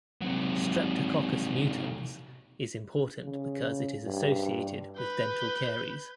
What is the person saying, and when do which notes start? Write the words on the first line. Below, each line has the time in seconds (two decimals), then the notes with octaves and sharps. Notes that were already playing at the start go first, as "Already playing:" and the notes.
"Streptococcus mutans" is important because it is associated with dental caries.
0.22 C3 F#3
3.24 C#3
4.04 G2
4.98 B4 G6